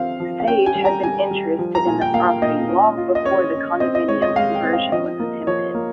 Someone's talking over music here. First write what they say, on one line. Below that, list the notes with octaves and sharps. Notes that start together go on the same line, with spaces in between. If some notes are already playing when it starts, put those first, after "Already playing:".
Sage had been interested in the property long before the condominium conversion was attempted.
Already playing: F3 C4 F5
F3
F5
C#4 G5
G#5
G3
A#5
G3 G#5
G3
F3
A#5
A#2 G#5
G5
A#3 F5
A#2 D#5
C#4
F4
D#5
C#4 C#5
C#4
C4 D#5
D#5
G#3 C#5
D#5
G#3 F5
G5
C4
F5
F3 D#5
A#3
F3 C#5
A#3